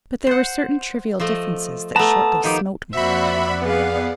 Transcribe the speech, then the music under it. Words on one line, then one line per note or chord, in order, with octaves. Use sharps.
But there were certain trivial differences that shortly smote me.
C5 F#5
F3 A3 D#5
A3 B3 A5 A#5
D#3 F3 D#4 G4
F2 A#3 F#4 C5 D5 E5 F#5 B5
B3 G#4 B4 F5